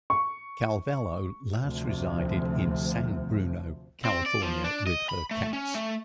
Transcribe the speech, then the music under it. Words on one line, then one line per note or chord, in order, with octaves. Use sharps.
Calvello last resided in San Bruno, California with her cats.
C#6
D2 C3 F3
C4
D5
F3
D4
D#5
B5
A3
C#4
A3